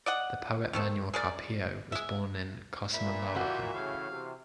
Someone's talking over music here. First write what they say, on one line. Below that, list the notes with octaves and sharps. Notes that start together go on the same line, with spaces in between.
The poet Manuel Carpio was born in Cosamaloapan.
D5 D#5 F#5
D#3 A3 C4
G#4 A#4 D5
G#3 E5
A#2 E5 B5
E3 F#4 G4
A2 C#3 F5
C3